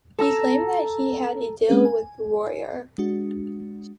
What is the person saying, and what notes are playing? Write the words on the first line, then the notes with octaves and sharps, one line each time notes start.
He claimed that he had a deal with Royer.
A4 A#5 E6
G#3 A#3 C4 C#4 G#4 B4
G#5
G#3 D4 F#4